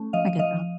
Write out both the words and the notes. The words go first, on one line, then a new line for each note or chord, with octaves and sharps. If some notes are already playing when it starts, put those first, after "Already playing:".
I get that.
Already playing: A3 C#4
F3 D#5 F5
F3 D#5 F5